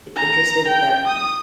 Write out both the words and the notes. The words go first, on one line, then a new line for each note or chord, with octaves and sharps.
it's interesting that
A#5
G5
D#6